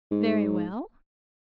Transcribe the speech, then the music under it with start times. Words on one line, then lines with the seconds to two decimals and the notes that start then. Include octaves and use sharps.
'Very well.
0.11 G#2